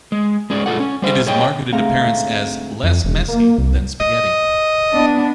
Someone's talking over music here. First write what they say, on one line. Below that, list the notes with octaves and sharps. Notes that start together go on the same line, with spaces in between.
It is marketed to parents as "less messy" than spaghetti.
G#3
G#3 C#4 G#4 D5
G#3 F4 A4 F#5
C#4
G3 C5 E5
G#4 C#5 D#5 G5
D2 G#2 A3 C4 F5 A#5
F2
E1
A#3
C2
D#5
B3 D4